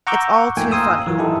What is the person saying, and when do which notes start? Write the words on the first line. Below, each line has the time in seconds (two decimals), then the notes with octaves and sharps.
It's all too funny.
0.07 F#5 A#5 C#6 D6 E6 G6
0.57 F3 A3 A#3 D#4 G5 G#5
0.71 F5 G#5 A#5 C6 D#6 E6
1.07 E3 F#3 F4 F#4 A#4
1.19 D#4 E4 G4 A4